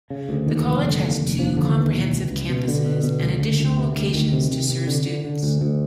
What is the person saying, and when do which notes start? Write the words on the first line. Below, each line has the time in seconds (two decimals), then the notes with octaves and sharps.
The college has two comprehensive campuses and additional locations to serve students.
0.10 C#3
0.29 D2
0.46 D#2 D#3
0.66 F1
0.83 D3
1.02 D#2
1.20 F1
1.39 D#2 F3
1.57 D3 F3
1.75 D#2 E3
1.94 B2
2.12 C#2
2.30 C#2
2.49 B2
2.67 B2 D3
2.85 B2
3.04 B2
3.22 C#2
3.41 D2
3.59 D2
3.78 C3
3.96 D2
4.14 D2 D#3
4.32 C3
4.51 C3
4.69 C3
4.87 D3
5.05 D3
5.24 D3
5.43 D2
5.61 D2